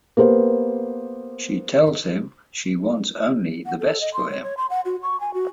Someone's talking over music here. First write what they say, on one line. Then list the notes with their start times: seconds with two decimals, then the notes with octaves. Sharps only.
She tells him she wants only the best for him.
0.17 A#3 B3 G4 C5
3.66 F#5
3.80 A4
4.01 D#5
4.14 C6
4.30 C#5
4.43 C#5
4.57 C6
4.70 F#5
4.85 F#4
5.03 C#6
5.20 G#5
5.34 F#4